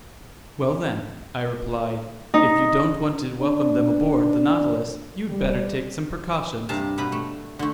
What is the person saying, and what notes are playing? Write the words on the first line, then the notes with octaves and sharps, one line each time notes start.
"Well then," I replied, "if you don't want to welcome them aboard the Nautilus, you'd better take some precautions!"
D#4
D4
G3
G2 C3 F5 A5 A#5
B2 B4 A#5 B5
A3
D3 A3